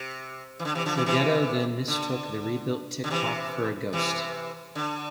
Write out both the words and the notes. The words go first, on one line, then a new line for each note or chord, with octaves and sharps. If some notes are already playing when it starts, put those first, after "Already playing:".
Ruggedo then mistook the rebuilt Tik-Tok for a ghost.
Already playing: C3
E3
D3
C3 E3
D3 F3
C3 E3
C3 E3
D3
D3
C3 E3
C3 E3
D3